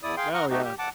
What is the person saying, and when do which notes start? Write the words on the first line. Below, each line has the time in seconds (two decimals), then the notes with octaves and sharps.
Oh, yeah,
0.03 E2 E4 D5 D#6
0.17 G#4 F5 G5 C6
0.34 F#5 A#5 C#6 F6
0.50 A3 D#4 F#4 G4
0.64 G4
0.79 F#5 A5 D6